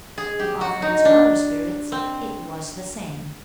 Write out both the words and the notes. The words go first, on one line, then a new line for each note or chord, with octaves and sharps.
In offering to other spirits it was the same.
G#4
G4
F#4
D#4
D4
C4